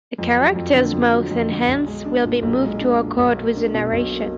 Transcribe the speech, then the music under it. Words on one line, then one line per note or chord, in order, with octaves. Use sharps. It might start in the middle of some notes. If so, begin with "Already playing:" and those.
A character's mouth and hands will be moved to accord with the narration.
F2
F#3
F2
D3
F2
F#3
F2
D3
B1
G#3
D4
A#2
B1
G#3
D4
A#2
B1
A#3
D4
B2
B1
A#3